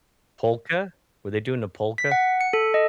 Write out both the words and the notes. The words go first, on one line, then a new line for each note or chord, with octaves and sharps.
Polka? Were they doing the polka?
B6
F#5
C#7
A4
D#5